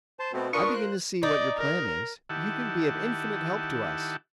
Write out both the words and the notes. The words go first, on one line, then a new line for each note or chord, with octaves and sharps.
I begin to see what your plan is. You can be of infinite help to us.
C5 A5
B2 A3 C4
D4 F4 A#4 B4 C#6 D#6
C5 F#6
D#4 D5
A#4
D#3 E4 G4 F#5 A5